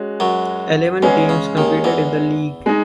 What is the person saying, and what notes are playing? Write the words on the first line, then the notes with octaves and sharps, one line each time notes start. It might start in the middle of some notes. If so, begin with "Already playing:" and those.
Eleven teams competed in the league.
Already playing: G#3 C#4 F#4
F#2 F#3
E2 E3 G#3 C#4 G#4
C#3
D#2 D#3
E2 E3
G#3 D#4